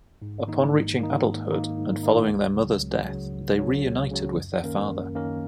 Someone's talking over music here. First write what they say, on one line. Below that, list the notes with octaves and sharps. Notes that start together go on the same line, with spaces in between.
Upon reaching adulthood, and following their mother's death, they reunited with their father.
G#2
D#3 A#3 D#4
G#2
D#3 A#3 D#4
G#2
D#3 A#3 D#4
G#2
D#3 A#3 D#4
C#2
C#3 F#3
C#2
C#3 F#3
C#2
C#3 F#3
C#2
C#3 F#3
F#2
D#3 A#3 C#4 A#4
F#2
D#3 A#3 C#4 A#4